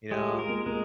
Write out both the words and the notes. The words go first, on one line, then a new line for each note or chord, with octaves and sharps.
You know?
G#3 G4
F4
A#4
A#3
G#3 A#3